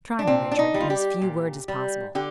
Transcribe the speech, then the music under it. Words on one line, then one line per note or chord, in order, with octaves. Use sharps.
"Try me, Richard, in as few words as possible."
D4
A#2 C4
D4
D#4
G3
F4
G4
A#2
G3
D3 G4